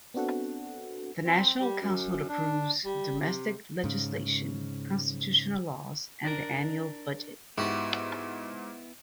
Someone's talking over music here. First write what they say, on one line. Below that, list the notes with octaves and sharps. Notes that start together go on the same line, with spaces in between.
The National Council approves domestic legislation, constitutional laws, and the annual budget.
B3 C4 D4 F#4 A4 F#5
C4
G3
F#2
D4
G3
C3
G#2 C#3
D4 A#4
G#2 B3 E4 F#4 G4